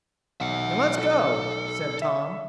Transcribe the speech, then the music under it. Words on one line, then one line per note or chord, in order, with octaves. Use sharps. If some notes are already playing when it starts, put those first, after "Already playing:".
"Then let's go," said Tom.
B1 E5 F#5
A4
E5